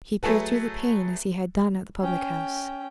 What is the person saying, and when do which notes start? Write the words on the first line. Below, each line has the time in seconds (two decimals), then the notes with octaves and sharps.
He peered through the pane as he had done at the public house.
0.23 F#3 A3 G#4 A4 B4
2.01 C#4 G5